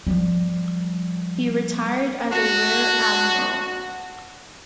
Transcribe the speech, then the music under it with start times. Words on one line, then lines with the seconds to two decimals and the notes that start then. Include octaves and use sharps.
He retired as a rear admiral.
0.07 F3 G3
2.32 D4 F#4